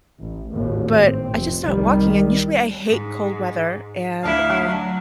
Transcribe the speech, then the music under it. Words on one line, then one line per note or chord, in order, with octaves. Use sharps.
but I just started walking, and usually I hate cold weather, and, um,
A1
G#1 D#2 A2
A2 C4
F1
C2 D#3 G3
G#2
D2 D4 E4 F5
F#3